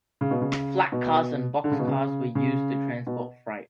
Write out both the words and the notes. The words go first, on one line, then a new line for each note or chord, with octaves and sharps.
Flatcars and box cars were used to transport freight.
C#3
B2
C#3
B2
D3
C#3
B2
C#3
C#3
B2